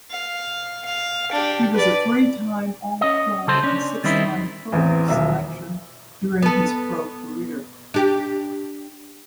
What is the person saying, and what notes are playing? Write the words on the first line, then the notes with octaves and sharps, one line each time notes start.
He was a three-time All-Pro and six-time Pro Bowl selection during his pro career.
F5
F5
D4 G4
B4 D5
C#4 D#5
C#3 A4 C5
C#4 D4
D#3 G3 C4 D#4 E4
A1 E2 C4
D#1 B1 E5 E6
B3 A4
D4 G4